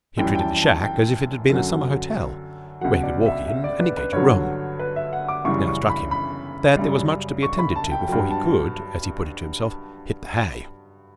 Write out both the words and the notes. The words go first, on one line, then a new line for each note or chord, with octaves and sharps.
He had treated the shack as if it had been a summer hotel, where he could walk in and engage a room. It now struck him that there was much to be attended to before he could, as he put it to himself, hit the hay.
F#2 E3 G3 G5
G5
A5
A5
G5
F#2 D3 F#3
C#2 B2 F#3 F#5
D5
E5
E5
D5
B4
B4
G2 D3 F#3 C#5
B4
E5
F#5
D6
F#2 C#3 E3 G3 C#6
C#6
B5
B5
F#2 C#3 G3
C#6
B5
A5
G5
G2 F#3 G5
A5